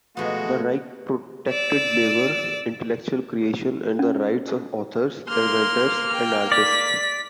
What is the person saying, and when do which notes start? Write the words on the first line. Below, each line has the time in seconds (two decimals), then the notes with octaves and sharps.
The Reich protected labor, intellectual creation, and the rights of authors, inventors, and artists.
0.17 B2 F3 G#3 A3 B3 F#4
1.49 D5 E6
3.99 C#4
5.29 A#3 C6 F6
6.13 G5
6.52 D5 B6